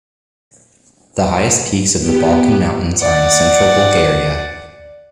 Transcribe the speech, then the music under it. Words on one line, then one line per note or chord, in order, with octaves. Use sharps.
The highest peaks of the Balkan Mountains are in central Bulgaria.
B3 G4
D5 F#5